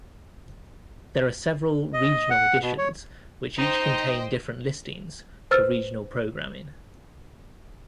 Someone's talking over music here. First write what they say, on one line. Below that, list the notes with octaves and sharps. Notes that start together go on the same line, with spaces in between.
There are several regional editions, which each contain different listings for regional programming.
D#5
F#5
B2
C#5
D#4 C5 D#5 G5
B4 C5 E6 F6 A6